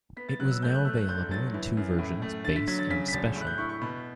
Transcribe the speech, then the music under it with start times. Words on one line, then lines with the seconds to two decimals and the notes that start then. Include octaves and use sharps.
It was now available in two versions, base and Special.
0.17 B3 B6
0.29 A6
0.40 F#3 F#6
0.51 E6
0.62 A3 G6
0.75 F#6
0.85 A3 E6
0.97 F#6
1.08 G1 G6
1.31 F#3 A6
1.54 E3
1.77 F#2
1.99 A2
2.22 A3
2.44 D3 A6
2.56 B6
2.68 F#3 B6
2.79 A6
2.90 C#3 B6
3.08 B6
3.13 E1 A6
3.36 A2
3.41 F#6
3.47 G6
3.58 E4 C#6
3.69 C#6
3.82 B2 B5